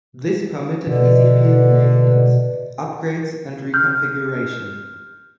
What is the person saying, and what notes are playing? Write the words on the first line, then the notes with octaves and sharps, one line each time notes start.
This permitted easy field maintenance, upgrades, and reconfiguration.
B2 D3 B4 D5 D#5
F6 G6